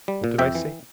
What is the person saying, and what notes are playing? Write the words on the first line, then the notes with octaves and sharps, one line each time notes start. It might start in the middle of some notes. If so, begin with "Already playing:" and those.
What did I say?
G3
A#2
F2 E5 G5
E3